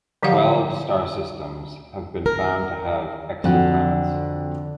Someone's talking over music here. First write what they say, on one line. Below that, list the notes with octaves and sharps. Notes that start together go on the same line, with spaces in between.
Twelve star systems have been found to have exoplanets.
D3 F3 F#3 G4 F5 F#5
A#4
F2 D3 F#3 F#5